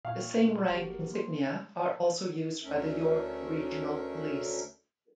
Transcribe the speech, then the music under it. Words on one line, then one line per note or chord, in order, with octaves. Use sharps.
The same rank insignia are also used by the York Regional Police.
A#2 F5 G5 C#6 G#6
F#1 F#4 G4
A#4
F3 A#3 C6
D2 A3 C#4 D4 A#4 E5